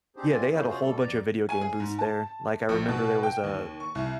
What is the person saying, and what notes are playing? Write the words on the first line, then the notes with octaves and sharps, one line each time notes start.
Yeah, they had a whole bunch of video game booths there. Like, I remember there was a
C4 D4 D#4 G4 G#4 C5
F#2 C4 F4 D5 G#5
C#3 A#3 C#4 D#4 E4 G#4
C3 C#4 F4 F#4 G#4 C5
B2 G3 A4
F2 D5 A#5
G#5
G#4
G#2
A5
A#1
B2
G5
D#2
C#6
C2